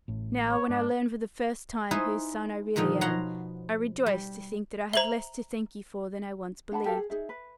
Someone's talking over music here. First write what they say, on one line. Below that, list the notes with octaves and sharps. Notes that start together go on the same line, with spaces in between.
Now when I learn for the first time whose son I really am, I rejoice to think that I have less to thank you for than I once believed.
A1 A2
C#5
G#2 D4
D#4 E4 G#4 B4 C5
A#2 D3 D#3 F3 D#4
B2 F3 C#5 F#5 A#5 C6
G3
C5 E5 A#5 F#7 G7
D4 F#5 A5 B5
G4 A4 A#4 F5
G#4
D#4 G#4 E5
B4